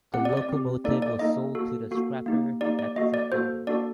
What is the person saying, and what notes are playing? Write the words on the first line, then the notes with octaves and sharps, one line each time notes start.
The locomotive was sold to the scrapper that September.
C4 G4 F#5
D5
D5
C4 G4
A#3 D#4 A4 D5
D5
A#3 D#4 A4 D#5
A#3 F#4 A4
A#3 F#4 A4
A#3 D#4 G4
A#3 D#4 G4 D5
D5
A#3 F#4 A4 D#5
D5
A#3 F#4 A4 C5
A#3 D4 F#4 A4 D5